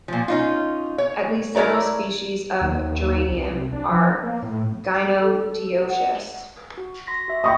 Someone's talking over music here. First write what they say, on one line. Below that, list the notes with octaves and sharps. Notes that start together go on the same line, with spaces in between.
At least several species of "Geranium" are gynodioecious.
A#2 F3
C#4 D#4 F4
C#5
E4 A#4 C#5 D5 A#5
D#2
C2
D4
F3
A#3
A2
A4
A4
F#4
F#5
F#4
C6 A#6 B6
F#4 E5
D#5 E5 G5 C#6 D#6 A#6